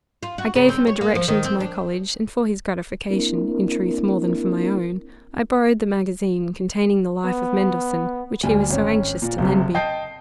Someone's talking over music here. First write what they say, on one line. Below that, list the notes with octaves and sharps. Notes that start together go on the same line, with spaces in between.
I gave him a direction to my college, and for his gratification, in truth, more than for my own, I borrowed the magazine containing the life of Mendelssohn, which he was so anxious to lend me.
F4
F#4
C#3
C4
C#5
A#3
F3
D#3
C4
D4
A#3 C4 D4 E4 A#4
B3
D2 G3 G#5
G#1 C#4
A#2
F#1 F#2 C3
D#5 G5 A5 D#6 G6 C7